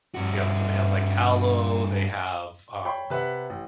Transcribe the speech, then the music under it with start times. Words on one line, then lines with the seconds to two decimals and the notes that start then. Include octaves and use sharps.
yeah, so they have, like, aloe, they have, um,
0.15 G2 F#4
2.85 C#5 G5 B5 C6
3.10 C3 B4 E5 F#5
3.50 A1